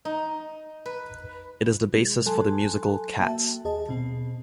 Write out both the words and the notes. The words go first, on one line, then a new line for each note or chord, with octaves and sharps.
It is the basis for the musical "Cats".
D#4
B4
G#3
F#3 A4 G#5 A5 C6 F#6
A#3 F#4 E5 G5 A5
D#2 G#4 D#5 A5
B2 C4